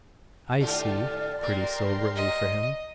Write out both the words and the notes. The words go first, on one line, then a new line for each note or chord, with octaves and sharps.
"I see," pretty soberly, for him.
G#2 D3 F4 G4 A4 D5
A#2 A#3 G4 A#5 C6
D#5